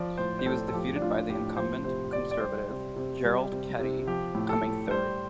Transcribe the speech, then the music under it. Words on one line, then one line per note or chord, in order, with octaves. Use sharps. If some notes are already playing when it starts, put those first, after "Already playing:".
He was defeated by the incumbent, Conservative Gerald Keddy, coming third.
Already playing: F3 D5
A2 C5
C5
A2 A4
A4
F3 G4
D4
A2 F4
A2 G4
F3 C5
C3 C5
C3 D5
D5
G3 C5
C3
C3
G3
C3
C3
F3 G4
A2
A4
A2
G3 C5